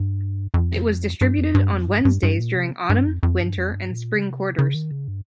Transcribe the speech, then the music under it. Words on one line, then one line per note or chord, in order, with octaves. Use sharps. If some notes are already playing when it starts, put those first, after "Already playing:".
It was distributed on Wednesdays during autumn, winter, and spring quarters.
Already playing: G2
F2
G2
F2
G2
F2
G2
G2
G2
A#2
C3
G2
F2
F2
G2
F2
G2
A#2
C#3
C3
C#3
D#3
C#3
G2